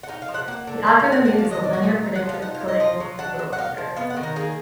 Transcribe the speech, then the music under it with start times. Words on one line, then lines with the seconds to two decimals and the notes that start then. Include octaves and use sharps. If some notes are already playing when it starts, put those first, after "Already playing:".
The algorithm used is a linear predictive coding vocoder.
0.03 F#5
0.08 D#4 F5
0.22 F5
0.28 F3
0.34 F#5
0.47 A#3 F#5
0.67 D3
0.86 A#3 F5
1.00 F5
1.06 D3
1.12 F#5
1.25 D4 F#5
1.38 F5
1.45 D#3
1.51 D#5
1.63 A#3 D5
1.73 F#4
1.83 A#2 G#4
2.03 D#4
2.15 F#5
2.22 F3
2.29 F5
2.42 D#4 F#5
2.54 F5
2.61 F3
2.68 D#5
2.80 F4 D#5
3.00 F#3
3.19 D4 F#5
3.39 F#3
3.53 F#5
3.58 D#4 F5
3.78 F3
3.96 B3 F5
4.10 F#5
4.17 D#3
4.23 A#4
4.36 A#3 G#4